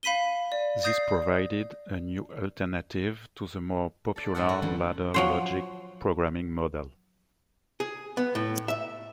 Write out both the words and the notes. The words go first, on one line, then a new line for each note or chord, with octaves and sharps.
This provided a new alternative to the more popular ladder logic programming model.
F5 B5 B6 D#7 G7
D5
D5 D#6 G6 A#6 C7
A4 D5
G#2 A4 F#5
F#4
G2 D#3 F3 C#4
F3 F#3 C5
G#4
B3
A2
E5